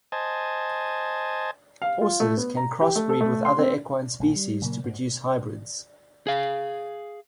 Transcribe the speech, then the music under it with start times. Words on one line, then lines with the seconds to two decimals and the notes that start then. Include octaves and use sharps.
Horses can crossbreed with other equine species to produce hybrids.
0.12 C5 D#5 G#5 A5
1.82 F5
2.01 F4
2.20 A3
2.37 B3
2.57 A#5
2.81 G4
2.96 A3
3.09 A4
3.21 A3
3.45 C6
3.59 C4
4.20 A#1 A#2
4.35 G3
4.62 A#2 C#3 F#3 A#3
4.84 G#2
6.27 G#4 F5